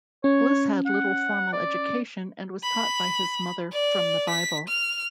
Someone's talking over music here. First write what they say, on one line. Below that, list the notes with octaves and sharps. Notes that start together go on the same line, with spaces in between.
Bliss had little formal education and was taught by his mother, from the Bible.
C#4 C#5
F#5
D5
B5
D5
B6
F6